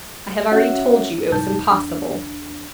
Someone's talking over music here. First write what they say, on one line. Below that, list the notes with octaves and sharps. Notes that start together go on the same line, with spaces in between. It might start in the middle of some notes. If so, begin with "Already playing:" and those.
"I have already told you it was impossible."
C#4 F#4 C#5 E5 F#5
C2 F2 G#2 D#4 A5 G6
E2 D4